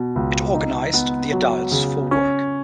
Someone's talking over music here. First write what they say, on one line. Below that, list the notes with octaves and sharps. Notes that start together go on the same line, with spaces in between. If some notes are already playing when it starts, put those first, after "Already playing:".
It organized the adults for work.
Already playing: B2
C#2
D#4
B3
F#3
C#3
C#4